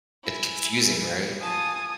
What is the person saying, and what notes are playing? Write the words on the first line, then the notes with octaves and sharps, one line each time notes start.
It's confusing, right?
E4 G#5
F4 G#5 A5 D#6